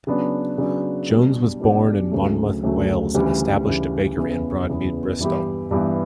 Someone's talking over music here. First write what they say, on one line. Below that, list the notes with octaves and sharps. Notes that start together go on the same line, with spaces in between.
Jones was born in Monmouth, Wales and established a bakery in Broadmead, Bristol.
C#3 F#3 B3 D4
C#3 F#3 B3 D4
B2 G3 D4 G4
B2 G3 D4 G4
D2 C#3 F#3 A3
D2 C#3 F#3 A3
D2 C#3 E3 G3
D2 C#3 E3 G3
E2 C#3 E3 B3
E2 C#3 E3 B3
G2 E3 B3 E4 G4
G2 E3 B3 E4 G4